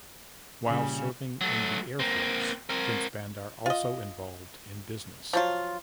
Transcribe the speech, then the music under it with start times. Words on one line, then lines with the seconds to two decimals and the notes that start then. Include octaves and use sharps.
While serving in the air force Prince Bandar also involved in business.
0.66 A#2 C#3 G3 G#5 B5
1.41 F#3 A3
2.00 A#3 C4
2.70 C4 A#4
3.66 F4 D#5
5.33 F3 F#3 F4